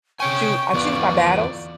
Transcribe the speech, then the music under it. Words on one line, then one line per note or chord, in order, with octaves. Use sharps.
choo I choose my battles.
C3 C#5 G5 G#5 C#6
E2 B3 F4 D5